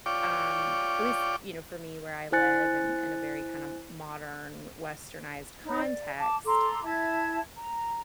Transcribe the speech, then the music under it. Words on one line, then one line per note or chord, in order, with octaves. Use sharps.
um, at least, you know, for me where I live in in a very kind of modern, westernized context,
F4 C#5 D5 G5 D6
E4 C5 G#5 F#6 A6 C#7
D#4 C#5 D#5 B5
D5
A5 D6
A4 A#5 C6 D6
E4 E5 A5 G#6
A#5